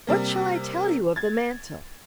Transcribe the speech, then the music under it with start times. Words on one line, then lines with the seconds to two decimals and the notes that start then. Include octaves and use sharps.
What shall I tell you of the mantle?
0.07 C3 G3 A#3
1.16 G#6 A6